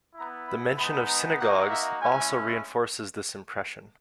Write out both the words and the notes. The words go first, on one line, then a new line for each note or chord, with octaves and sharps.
The mention of synagogues also reinforces this impression.
B3 E4 A#5
B5
G#3 B3 D#4 B5
A#5
A#3 D#4 F#4 F#5
E5
G#3 C#4 E4 G#5